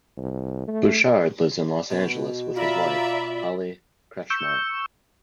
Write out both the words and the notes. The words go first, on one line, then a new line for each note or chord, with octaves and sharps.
Bouchard lives in Los Angeles with his wife, Holly Kretschmar.
C2
A3
B2
F4 D5 E5 F5 A#5 B5
C#6 E6 G6